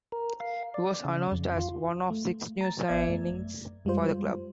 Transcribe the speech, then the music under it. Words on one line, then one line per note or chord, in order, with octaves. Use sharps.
He was announced as one of six new signings for the club.
A#4
F5
D5
C#3
F2
F4
A3
A#5 A6
A1 B3 D5 E5 G#6
F#2 A3
F#2 G3 G#3 F4 C5